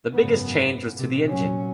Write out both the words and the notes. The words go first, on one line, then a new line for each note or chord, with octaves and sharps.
The biggest change was to the engine.
G#1 F#2 C#3 B3
A#1 C3
A#2 F#3 C#4